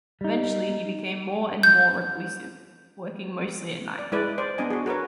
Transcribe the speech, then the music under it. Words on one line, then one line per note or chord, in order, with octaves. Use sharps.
Eventually he became more and more reclusive, working mostly at night.
G3 D#4
G6
D5
G#3 E4 B4 D5
C5 D5
B3 D4 D#5 G#5
F#4 G#4
F#4 A#4 B4 C#5